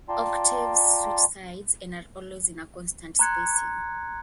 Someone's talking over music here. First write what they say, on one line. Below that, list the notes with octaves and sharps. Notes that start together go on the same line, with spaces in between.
Octaves switch sides and are always in a constant spacing.
F4 D5 G5 A5 A#5 C6
A#5 C6 F#6 G#6 C#7